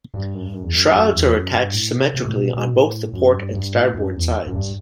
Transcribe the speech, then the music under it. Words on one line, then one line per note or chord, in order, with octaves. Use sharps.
Shrouds are attached symmetrically on both the port and starboard sides.
G2
F#2
G2
F#2
E2
F#2
F#2
E2
F#2
G2
A2
C3
C3
A2
B2
B2
A2
F#2
G2
G2
A2
F#2
E2
F#2
G2